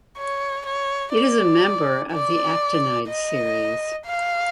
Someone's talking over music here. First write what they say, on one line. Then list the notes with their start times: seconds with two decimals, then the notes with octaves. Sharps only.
It is a member of the actinide series.
0.18 C#5
0.66 C#5
1.14 D5
2.12 D5
3.09 D#5
4.06 F5